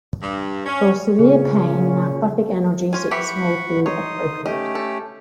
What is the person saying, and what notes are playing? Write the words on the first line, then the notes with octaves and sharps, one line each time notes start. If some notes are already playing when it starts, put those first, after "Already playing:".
For severe pain, narcotic analgesics may be appropriate.
G2
C#4
A#2 C#3 C#4 G#4
C#4 F4 G#5
E3 G4 E5 F#5 B5 C#6
D#4 C#5 C6 D#6
A3 C#4 G4 D#5
A4